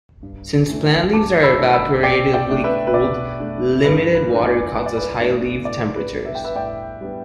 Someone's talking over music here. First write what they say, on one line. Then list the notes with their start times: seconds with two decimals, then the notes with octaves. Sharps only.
Since plant leaves are evaporatively cooled, limited water causes high leaf temperatures.
0.23 G2
0.67 E3 A3 D4
1.13 G2 A5 D6
1.43 B5 E6
1.58 E3 A3 D4
1.73 B5 E6
2.03 B2 D5 G5
2.33 D5 G5
2.49 A3 D4
2.64 B4 E5
2.87 B4
2.94 B2 D5
3.40 A3 D4
3.84 G2 B4
4.15 B4
4.30 E3 A3 D4
4.45 D5
4.75 G2 B4
4.86 D5
4.97 B4
5.20 E3 A3 D4
5.65 A2 D5
5.96 B4
6.11 G3 B3 D4
6.25 E5
6.35 G5
6.44 B4 E5
6.55 A2 D5 G5
7.01 G3 B3 D4